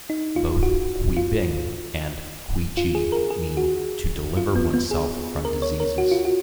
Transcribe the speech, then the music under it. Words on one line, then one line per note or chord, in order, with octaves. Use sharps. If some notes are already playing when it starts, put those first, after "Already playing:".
Both "Qubing" and "Qiji" mean to deliver oneself from diseases.
D#4
F4
F#4
F4
F4
G#4
A#4
G#4
F#4
F4
B3
B3
G#4
A#4
C#5
A#4
F#4
F4
F#4